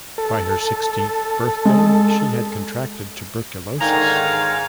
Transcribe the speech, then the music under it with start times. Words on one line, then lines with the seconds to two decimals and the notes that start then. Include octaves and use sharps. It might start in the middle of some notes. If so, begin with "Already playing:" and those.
By her sixteenth birthday, she had contracted tuberculosis.
0.18 A4
1.65 G#3
3.81 G#2 D3 D#3 F5 G#5 A#5